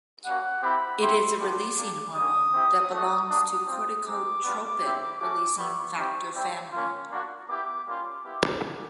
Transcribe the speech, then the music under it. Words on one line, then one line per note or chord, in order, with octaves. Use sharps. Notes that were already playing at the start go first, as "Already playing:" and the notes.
It is a releasing hormone that belongs to corticotropin-releasing factor family.
G3 A#3 C#4 F#4 F#5
C4 E4 G4 B5
C4 E4 G4 C6
G3 B3 D4 F4 D6
A#3 D4 G4
G3 A#3 C#4 D#6
C4 E4 G4
A3 D4 F#4
A#3 D4 G4
C4 F4 D#6
G#3 C4 D#4 D6
G3 B3 D4 F4
C4 E4 G4
A3 C#4 F#4 D6
G3 B3 E4 C#6
G3 C4 E4 G4
G3 C4 E4 G4
A#3 C#4 F4
A#3 D4 F#4
B3 E4 G4 D6
G3 A#3 C#4 F4 D6
B3 E4 G4